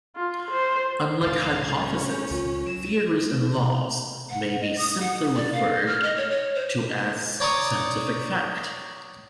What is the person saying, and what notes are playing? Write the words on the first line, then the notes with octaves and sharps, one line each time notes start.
Unlike hypotheses, theories and laws may be simply referred to as scientific fact.
F4
C5
C#2 A2 F5 A6
C#4
C#2 F4
F#3 E7
F#5
D#5
D#6
F#5
D5
F5
F6
D#5
C#5
C#5
C5
C#5 D5 A#5 C6 C#6 D#6